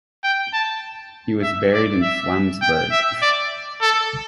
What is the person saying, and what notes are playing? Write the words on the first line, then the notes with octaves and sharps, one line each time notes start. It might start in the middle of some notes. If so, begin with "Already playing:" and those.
He was buried in Flensburg.
G5
A5
E5
D5
E5
G5
E5
D5
A4